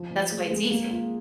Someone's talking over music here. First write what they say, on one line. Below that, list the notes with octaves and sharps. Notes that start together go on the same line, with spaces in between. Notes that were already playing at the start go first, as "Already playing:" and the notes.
that's why it's easy.
Already playing: F3
F3
G#3
G#3
A#3
F4